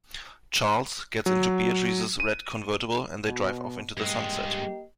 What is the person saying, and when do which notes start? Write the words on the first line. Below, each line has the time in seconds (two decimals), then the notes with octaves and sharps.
Charles gets into Beatrice's red convertible and they drive off into the sunset.
1.26 F#3
2.20 D#7
3.26 B2
3.97 G2 G#3 A#3 G4 D#5